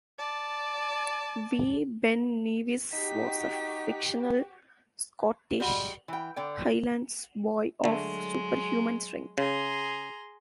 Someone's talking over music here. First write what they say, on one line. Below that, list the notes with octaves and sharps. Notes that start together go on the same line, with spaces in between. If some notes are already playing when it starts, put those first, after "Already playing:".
Wee Ben Nevis was a fictional Scottish Highlands boy of superhuman strength.
D5 A5
D#4 F#4 G4 B6
G3 G#3 F#4
E3 G5
D3 D5 G5
D3 F#3 G#3 A3
C#3 G#4 A#5 C6